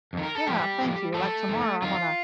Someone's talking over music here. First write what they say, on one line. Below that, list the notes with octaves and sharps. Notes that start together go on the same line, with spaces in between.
Yeah, thank you, like tomorrow, I'm gonna
F2 D#3
A#4
A4
A2 F3 G3 G4
A2 F3
A2 F3 A3 A4
F2 D#3
F2 D#3 F4